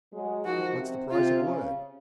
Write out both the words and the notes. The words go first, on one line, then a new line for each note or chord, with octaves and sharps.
"What's the price of wood?"
F#3 G#3
D#3 F3 F#4
C3
C3 F4
C#3